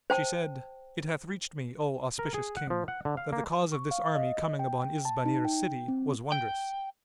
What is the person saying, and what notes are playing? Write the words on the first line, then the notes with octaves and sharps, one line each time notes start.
She said, It hath reached me, O auspicious King, that the cause of this army coming upon Isbanir city was wondrous.
C5 G5 A5
A#4
G#4
F#5
F3
F#5
D3
F5
A#3
C#6
F5
D#5
G5
A5
D#4
G5
C4
G5